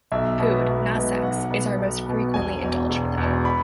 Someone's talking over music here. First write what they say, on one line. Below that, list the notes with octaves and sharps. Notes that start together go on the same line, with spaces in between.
Food, not sex, is our most frequently indulged pleasure.
B1 E5
B2 G#3 B3
B1
B2 G#3 B3
B1 F#5
B2 B3
B1
B2 B3
E1 G#5
E2 B2
E1
E2 B2
B5